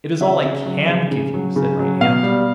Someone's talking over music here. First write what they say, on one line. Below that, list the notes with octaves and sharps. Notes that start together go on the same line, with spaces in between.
'It is all I CAN give you,' said my aunt.
C#3 E5
C#3
F#3
C#3
C#3
F#3
C#3
F#3
B2 F5
G3